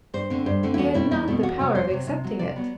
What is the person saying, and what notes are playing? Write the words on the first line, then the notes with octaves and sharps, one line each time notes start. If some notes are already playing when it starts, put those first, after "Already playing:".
He had not the power of accepting it.
G2 C5
D3 A3 C4
G2 C5
D3 A3 C4
E4
E2 F#4
B2 A3 C4 E4
E2 E4
B2 A3 C4
E2 F#4
C3 F#3
E2 C5
C3 F#3
C3
F#3 B3
C3 D5
F#3 B3